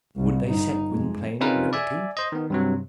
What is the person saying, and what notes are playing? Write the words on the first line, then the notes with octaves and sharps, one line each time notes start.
Would they set Gwynplaine at liberty?
C2
G1 D#4
F2 G#3
C3 C#4 D#4 F4 A#4 B4
D5 E5 G#5
C5 D#5
D#3 B3
G2 C3 F#3